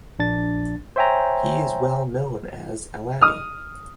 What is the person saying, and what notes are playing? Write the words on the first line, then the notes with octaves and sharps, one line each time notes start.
He is well known as "alani".
A#1 D4 A6
C5 C#5 E5 G5 G#5 A#5
D#6 F6